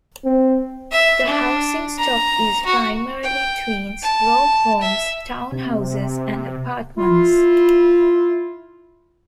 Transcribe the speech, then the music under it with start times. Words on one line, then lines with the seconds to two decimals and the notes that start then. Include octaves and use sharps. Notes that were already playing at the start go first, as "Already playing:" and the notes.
The housing stock is primarily twins, row homes, townhouses, and apartments.
0.25 C4
0.91 E5
1.27 D4
1.98 A#5
2.66 F#4
3.23 G5
4.03 A5
4.82 E5
5.52 C3
6.97 E4 F4